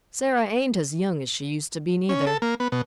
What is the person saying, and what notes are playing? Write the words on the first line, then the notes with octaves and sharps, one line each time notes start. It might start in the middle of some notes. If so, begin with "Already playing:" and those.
Sara ain't as young as she used to be, neither.
C#4
A4
A#3
B3
B2